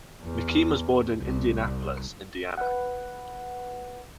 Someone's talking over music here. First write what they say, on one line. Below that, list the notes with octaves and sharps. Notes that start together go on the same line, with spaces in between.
McKean was born in Indianapolis, Indiana.
E2
C2
B4 F#5